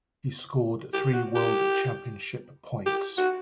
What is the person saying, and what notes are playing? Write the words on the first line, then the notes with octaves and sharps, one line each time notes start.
He scored three World Championship points.
G4
F#4
G4
G4
F#4